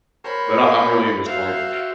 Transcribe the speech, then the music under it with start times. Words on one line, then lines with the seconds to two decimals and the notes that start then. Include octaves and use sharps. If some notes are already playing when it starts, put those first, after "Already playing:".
But I I'm really into science.
0.24 A#4 C5 C#5 B5
1.26 F#4 C5 E5 F5